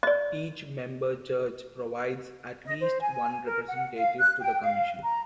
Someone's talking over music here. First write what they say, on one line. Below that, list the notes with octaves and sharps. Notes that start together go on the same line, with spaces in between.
Each member church provides at least one representative to the Commission.
D5 D#5
D#5
C5
G#5
A#4
F#5
F5
F#6
G5
F5
A#5